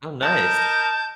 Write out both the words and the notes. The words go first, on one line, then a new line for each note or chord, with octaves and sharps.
Oh, nice.
A#4 D#5 A5 G6